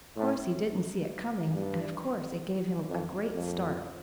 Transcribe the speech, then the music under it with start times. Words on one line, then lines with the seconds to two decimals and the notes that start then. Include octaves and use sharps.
Of course he didn't see it coming, and of course it gave him a great start.
0.16 A2
1.53 G2
2.89 F2
3.35 F2